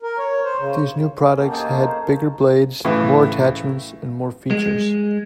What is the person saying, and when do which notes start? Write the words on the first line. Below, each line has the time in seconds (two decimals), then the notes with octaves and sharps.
These new products had bigger blades, more attachments, and more features.
0.02 A#4
0.18 C#5
0.44 C5
0.59 C#3
1.26 C#4
1.38 D3 A#3 G4 A4
1.51 D#4 G#4 C5 A5
1.63 A#4 F5 C#6
1.86 C5 D#5 A#5
2.85 A2 C#3 E3
4.51 G#3